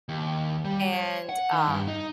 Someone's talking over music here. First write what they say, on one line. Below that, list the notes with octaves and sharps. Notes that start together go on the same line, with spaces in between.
and, um,
D#2
G3
C#5
F#5
D#3
G2
D#4